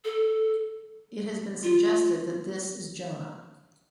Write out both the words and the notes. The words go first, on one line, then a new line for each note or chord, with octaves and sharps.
It has been suggested that this is Jonah.
A4
F4